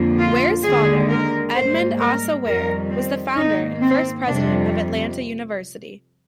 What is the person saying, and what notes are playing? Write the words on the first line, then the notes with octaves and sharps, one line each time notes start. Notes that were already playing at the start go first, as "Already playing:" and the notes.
Ware's father, Edmund Asa Ware, was the founder and first president of Atlanta University.
Already playing: F2 D3 F3 A#3
F4
D#2 D3 G#3 G#4
A#4
G#2 G3 A#3 C5
A#4
F2 D#3 G3 A#4
C4
G#2 D#3 A#3 D#4
C4
F2 C3 G3 D4